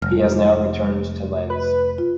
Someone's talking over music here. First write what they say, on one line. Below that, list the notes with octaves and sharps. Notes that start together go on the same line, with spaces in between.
He has now returned to Lens.
F1 G3 F6
B4
F4